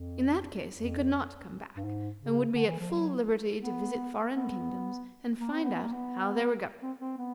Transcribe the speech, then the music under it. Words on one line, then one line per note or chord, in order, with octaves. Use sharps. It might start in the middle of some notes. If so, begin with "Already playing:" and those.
In that case he could not come back, and would be at full liberty to visit foreign kingdoms, and find out how they were governed.
Already playing: F2
F2
G2
G#2
C#3
D3
E3
F3
F#3
B3
B3
A#3
C4
B3
B3
A#3
B3
C4
C4
B3